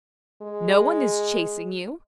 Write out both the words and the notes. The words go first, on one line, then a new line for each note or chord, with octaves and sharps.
No one is chasing you.
G#3